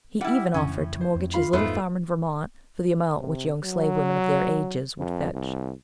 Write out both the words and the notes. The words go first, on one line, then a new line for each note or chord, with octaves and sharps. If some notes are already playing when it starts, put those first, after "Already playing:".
He even offered to mortgage his little farm in Vermont for the amount which young slave women of their ages would fetch.
G3 E4 F#5
F2 A2 C#3 E3 C#4
C5
F2 C4
F4 F5 B5
F2 G#2 A3 B3 D#4 F4 F#4 C5
C3
F#3
F2
C2